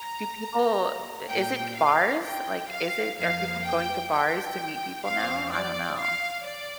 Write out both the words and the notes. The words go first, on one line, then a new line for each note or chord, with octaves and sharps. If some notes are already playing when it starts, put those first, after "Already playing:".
do people is it bars? Like, is it are people going to bars to meet people now? I don't know.
Already playing: A#5
A#2 A#3 G5
F5
G5
F5
F2 F3 A#3 F5
G5
G5
F2 F3 C4 F5
D5
F5
D5